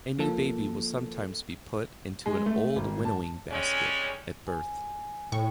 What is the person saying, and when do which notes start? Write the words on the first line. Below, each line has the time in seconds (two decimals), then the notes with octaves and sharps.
A new baby will sometimes be put into an old winnowing-basket at birth.
0.18 F3 A#3 A4
2.26 G#3
2.46 A3
2.76 G#1
3.05 A5
3.50 G3 G#3 C#4
4.47 G#5
5.32 A2 G5 C#6